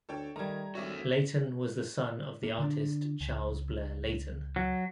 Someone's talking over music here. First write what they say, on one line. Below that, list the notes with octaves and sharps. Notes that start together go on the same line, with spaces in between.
Leighton was the son of the artist Charles Blair Leighton.
D2 A4 C#5 G5
D#3 G3 A3 A#5 G#6
G#1 F#4 A4 C#5 E5
A#3
D3 D4
C#2
F#3